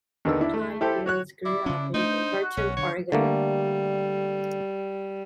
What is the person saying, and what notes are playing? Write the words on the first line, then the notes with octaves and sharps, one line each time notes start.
Tye Fields grew up in Beaverton, Oregon.
D#2 D3 D#3 B3 E6
D4 E4
A3
E4 G4 A4 C5
F#4 C#5 F#6
E4 D5
C#3 C#4 D4
A3 D4 D#4 C5
F#4 F#6
B1 C#4
D3 C#5
D3 G3 A3 A#3